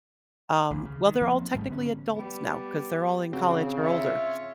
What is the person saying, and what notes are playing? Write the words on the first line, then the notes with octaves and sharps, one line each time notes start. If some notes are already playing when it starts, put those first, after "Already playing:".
um, well, they're all technically adults now, 'cause they're all in college or older,
A1 D2
C#3
D#3
F3 A#3 C4
G#1 G#2 G3 A3
D3 B3 C#4
G3 B3
C#3 C4 F#4
F4 C#5 E5